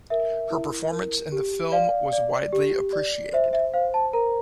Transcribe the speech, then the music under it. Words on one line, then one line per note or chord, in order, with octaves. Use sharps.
Her performance in the film was widely appreciated.
A#4 E5
E4
A#4
G4
D5 F5
D5
G4
D5
C5 E5
E5
C5 F5
A5
A#4 A#5